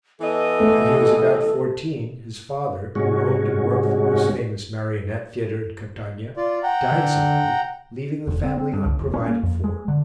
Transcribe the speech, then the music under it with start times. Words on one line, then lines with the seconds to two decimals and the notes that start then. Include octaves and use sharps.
When he was about fourteen his father, who owned and worked the most famous marionette theatre in Catania, died suddenly, leaving the family unprovided for.
0.20 E3 B3 A4 D#5
0.60 A3
2.95 G#2 C3 G#3 C#4 F#4
6.37 F4 D5
6.63 F#5 G5 A#5
6.92 D3
8.27 E1
8.44 C4
8.57 C4
8.73 G2
8.86 C#2
9.00 E1
9.14 C#4
9.28 A#3
9.43 F2
9.64 G#3
9.88 D3